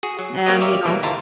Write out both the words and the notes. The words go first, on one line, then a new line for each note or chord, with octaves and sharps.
And, you know,
F#4 G#4
F#3
G3 A#3 C4 G4 C#5 D#5
G4 A#4 C#5 D5 E5 F5
B2 E3 G3 A#3
G1 D#2 E4 F4 A5 A#5